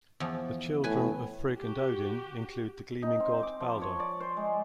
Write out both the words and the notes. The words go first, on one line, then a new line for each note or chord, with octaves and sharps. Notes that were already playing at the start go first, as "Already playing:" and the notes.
The children of Frigg and Odin include the gleaming god Baldr.
E2 F3
A2 B4 G#5
F#4 G4
D#4
C4
D6
F3
C#5
D5
C5
G#3